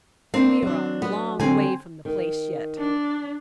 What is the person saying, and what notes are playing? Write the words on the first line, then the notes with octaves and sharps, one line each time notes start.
"We are a long way from the place yet."
A#3 C4 D4
F#3 D4
B3
D3 F#3 C4 G#5
D#3
D4